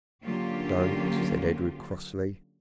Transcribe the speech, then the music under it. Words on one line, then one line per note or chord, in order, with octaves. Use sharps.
"Don't!" said Edred crossly.
D3 F#3 A#3 C#4 F4 G4